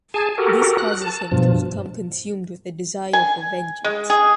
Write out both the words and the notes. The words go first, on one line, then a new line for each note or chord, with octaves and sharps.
This causes him to become consumed with a desire for vengeance.
G#4 G#5 A5
F#4 G4 A4 A#4
F#6
A5
G2 B2 F3
G#5
G#3
G#4